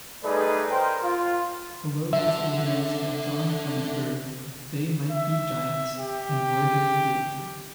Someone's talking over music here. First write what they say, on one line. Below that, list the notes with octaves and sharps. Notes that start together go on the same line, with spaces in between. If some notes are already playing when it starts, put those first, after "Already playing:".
Hello was organised by John Flansburgh of They Might Be Giants and Marjorie Galen.
G3 A3 D#4 G#4 B4 D5
A#4 C5 G5
F4
D3 E5
E5
G4